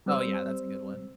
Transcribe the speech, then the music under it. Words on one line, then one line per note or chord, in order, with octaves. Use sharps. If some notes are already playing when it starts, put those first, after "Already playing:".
Oh, yeah, that's a good one.
G3 C4 C5 E6